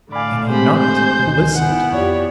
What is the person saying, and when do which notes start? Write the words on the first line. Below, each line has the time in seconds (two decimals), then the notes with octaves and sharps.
And he knocked and listened.
0.12 A2 D3 D5 F5 G#5 B5
0.50 G#3 C4 G4 C5 G#5 B5
0.79 C5 G6
1.26 D2 D#3 D#4
1.55 B3 E4 F#5
1.93 F2 F4 G4 C#5 D5